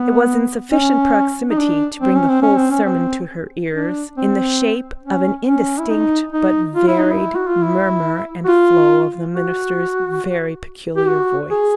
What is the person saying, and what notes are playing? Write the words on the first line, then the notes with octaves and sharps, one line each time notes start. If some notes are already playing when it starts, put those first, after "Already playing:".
It was in sufficient proximity to bring the whole sermon to her ears, in the shape of an indistinct but varied murmur and flow of the minister's very peculiar voice.
Already playing: B3
C#4
D#4
D4
C4
C#4
C4
C#4
C4
C#4
C4
D4
C4
C#4
C#4
E4
D#4
D#4
F4
E4
D#4
E4
F#4
F4
E4
F#4
F4
F#4
G4
F#4
G#4